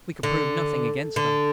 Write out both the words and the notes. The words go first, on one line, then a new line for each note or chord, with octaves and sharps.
We could prove nothing against them.
D3
D3